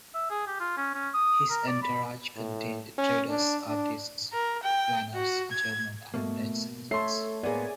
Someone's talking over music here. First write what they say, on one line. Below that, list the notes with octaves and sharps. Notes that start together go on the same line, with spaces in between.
His entourage contained traders, artists, planners, German and Dutch citizens.
E5
G#4
G4
F4
C#4
C#4
D#6
A#4
D5
B5
A2
C#4
D4
D4
A#4
G5
F#4
G#6
B2 A3 A#3
A3 A4 C#5 E5 C6 C7
A2 A#3 B3 G#4 D5 G#5